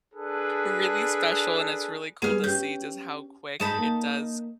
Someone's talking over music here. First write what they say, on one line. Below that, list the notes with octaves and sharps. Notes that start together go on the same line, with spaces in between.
really special, and it's really cool to see just how quick it does
D4 G#4 A4 B4
G3 G#3 B3 G#4 F6
C#4 G4 G6
G#2 G#3 D#4 A4 A5 B5
A#3